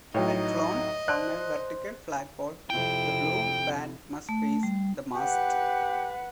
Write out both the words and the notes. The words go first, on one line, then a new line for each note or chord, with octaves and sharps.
When flown from a vertical flagpole, the blue band must face the mast.
A2 F#3 D#4 B4 C#5 D#5 G5
C5 D5 A5 C6 F#6
F2 C3 E4 G5
A3
G3
G4 B4 F#5